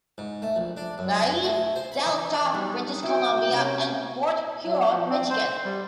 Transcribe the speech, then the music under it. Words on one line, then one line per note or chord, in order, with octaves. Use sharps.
Marie, Delta, British Columbia and Port Huron, Michigan.
G#2
A3
A#1
D4
F#2
C6
A3
C5
B5
E3
F#3 G3 B3 D#4
E4 F#4 G5
C3 C#4
F#3
F3
C4
C5
G3